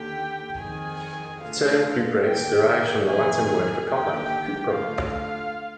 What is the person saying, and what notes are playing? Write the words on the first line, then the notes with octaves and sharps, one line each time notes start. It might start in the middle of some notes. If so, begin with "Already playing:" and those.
The term cuprates derives from the Latin word for copper, "cuprum".
Already playing: D#2 D3 G4 G5
F2 D#3 G#4 G#5
D2 D3 F4 F5
D#2 D3 G4 G5
F2 D#3 G#4 G#5
D#2 D3 G4 G5
D2 D3 F4 F5